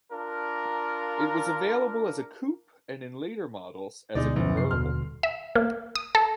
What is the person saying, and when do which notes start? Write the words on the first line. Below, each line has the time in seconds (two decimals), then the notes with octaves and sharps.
It was available as a coupe and in later models as a convertible.
0.12 D4 F4 A#4
4.15 D2 B2 G#3 D#4 D5
4.36 A#1 F#2 E3 F3
4.57 C3 C7
4.71 D#1 B2 D3 C6 F6
5.23 E5
5.55 A#3
5.95 D#6
6.15 A4